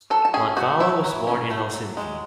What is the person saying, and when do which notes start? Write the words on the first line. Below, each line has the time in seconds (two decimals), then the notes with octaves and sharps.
Latvala was born in Helsinki.
0.10 F#3 A4 A5
0.25 A5
0.34 C#4 G#4 G#5
0.57 A3 F#4 F#5
0.80 F#3 E4 E5
1.04 F#3
1.27 C#4
1.51 A3
1.74 F#3
1.97 G#3